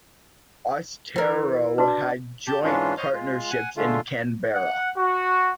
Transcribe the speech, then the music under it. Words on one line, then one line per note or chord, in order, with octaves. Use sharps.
Austereo had joint partnerships in Canberra.
E3 A#4
D4 F#4 B4
G4 A5 G6
G#2 E3 G#3 C#4 D4 F4
C5 C#5 D#5 C6 F6
G#3 F4
F#5 G#5
D3 G#3 A3 F4
F#5
F#4